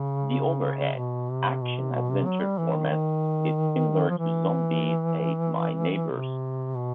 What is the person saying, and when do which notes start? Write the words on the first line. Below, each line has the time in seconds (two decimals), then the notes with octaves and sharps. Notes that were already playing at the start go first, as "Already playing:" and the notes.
The overhead, action-adventure format is similar to "Zombies Ate My Neighbors".
Already playing: C#3
0.97 B2
1.30 C3
1.61 B2
1.78 C3
1.94 B2
2.10 C3
2.25 F#3
2.42 G3
2.58 E3
2.74 D#3
2.90 D#3
4.09 F3
4.18 E3
6.11 C3
6.75 B2